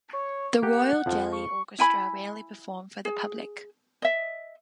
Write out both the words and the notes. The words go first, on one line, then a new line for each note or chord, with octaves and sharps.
The Royal Jelly Orchestra rarely perform for the public.
C#5
A#3 G4 F#5
F2 F3
C#6
E4 G#5 B5
G#4
D#5 E5